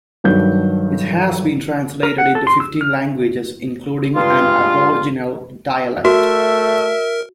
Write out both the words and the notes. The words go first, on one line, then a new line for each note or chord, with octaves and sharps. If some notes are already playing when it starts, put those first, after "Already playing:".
It has been translated into fifteen languages including an aboriginal dialect.
G2 D#3 F#3 A4 G6
A#4
F#5
A4
C6
E6
F6
G2 G#3 F4
A3 F#4 A#4 E5